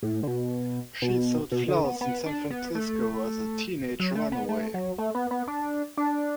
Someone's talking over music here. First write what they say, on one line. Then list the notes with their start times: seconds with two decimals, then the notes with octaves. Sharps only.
She sold flowers in San Francisco as a teenage runaway.
0.03 A2
0.23 D3
0.28 B2
1.02 B2
1.52 B2
1.68 D3
1.84 B3
2.01 B3
2.26 D4
2.50 B3
2.75 A3
3.99 F#3
4.15 A3
4.32 B3
4.49 A3
4.74 F#3
4.98 A3
5.15 B3
5.31 B3
5.48 D4
5.97 D4